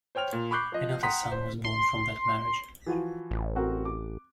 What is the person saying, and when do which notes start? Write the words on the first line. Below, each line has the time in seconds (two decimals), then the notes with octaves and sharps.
Another son was born from that marriage.
0.15 C5 C#5 G5 F6 F7
0.33 A#2
0.51 B5 C#6 D6 F#6 G6 C7
0.72 F3 D#5
1.03 F#5 G5 A#5 C6 D#6 B6
1.31 C5
1.65 C6
2.86 E3 F3 F#4
3.31 A1
3.56 C4 F#4 A#4
3.85 D6